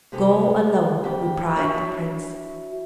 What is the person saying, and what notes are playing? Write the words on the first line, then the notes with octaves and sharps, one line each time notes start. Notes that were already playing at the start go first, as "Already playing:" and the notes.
"Go alone," replied the prince.
C3 G#3 G4 A4
F2 G4
D4 E4 F#4 C#5 D5 E5